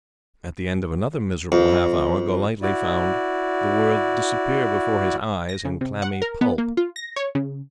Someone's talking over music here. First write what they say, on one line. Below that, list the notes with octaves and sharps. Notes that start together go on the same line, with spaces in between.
At the end of another miserable half-hour, Golightly found the world disappear before his eyes in clammy pulp.
F2
E4 F#4 D5
A#6
C#3
C3
F#5
A#4
B3
A#3
F4
A#6
C#5
C#3